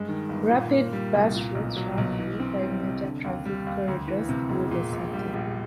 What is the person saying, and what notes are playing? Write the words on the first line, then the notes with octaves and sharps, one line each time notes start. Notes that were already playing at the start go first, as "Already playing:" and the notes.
Rapid bus routes run through five major transit corridors through the city.
Already playing: G2 G#3
D#3
G1
A#2
A#3
G3
C2
A#2
B1
F#3
B1
E3
C4
G3
C3
D3
D#2
G3
D#2
D2
E3
C3
E1
A#2
A#1
G3
A#1